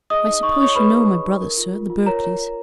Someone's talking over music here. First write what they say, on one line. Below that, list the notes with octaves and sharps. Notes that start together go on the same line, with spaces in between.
"I suppose you know my brothers, sir, the Berkleys."
G#4 D#5 D#6
D#4
D#4 C#6
D#6
D#4 C#5 C#6
G#4 B4 B5
D#4
B4
D#4
A#4
F4
F4
F4
A#4 C#5 A#5
C#5
C#5